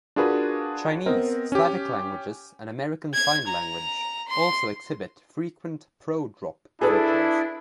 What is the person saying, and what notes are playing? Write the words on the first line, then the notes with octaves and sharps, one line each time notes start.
Chinese, Slavic languages, and American Sign Language also exhibit frequent pro-drop features.
D4 F4 F#4 G#4 A#4 B4
B3 C4 A#4 D#5
C#4 G4
G#6
A#5
C6
D4 E4 G#4 A4 B4